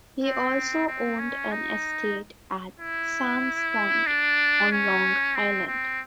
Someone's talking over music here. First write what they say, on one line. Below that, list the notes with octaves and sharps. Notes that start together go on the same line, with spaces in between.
He also owned an estate at Sands Point on Long Island.
C4
C4
C#4
D#4
E4
D4
C#4
C4
C4